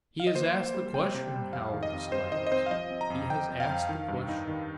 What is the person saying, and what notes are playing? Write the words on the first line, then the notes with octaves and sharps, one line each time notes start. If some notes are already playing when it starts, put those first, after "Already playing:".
"He has asked the question!" howled the slaves--"he has asked the question!"
F5
D#5
A#3 C5
A#3
G3
C3 G5
C3
G3
F2 F5
D#3
D#5
C4
C4 C5
D#3 D#5
D#5
C4 C5
F5
F3 D#5
C4
A#5
F2
F2 G5
F2
F5
F2
D#3
G2
D#4
D#3